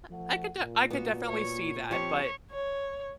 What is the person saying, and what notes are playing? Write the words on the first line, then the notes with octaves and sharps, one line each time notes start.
I I could de I could definitely see that, but,
F3 A3 F#5
A#2
B3 F#4
C#5
F3 C4 G4 C#5
C#5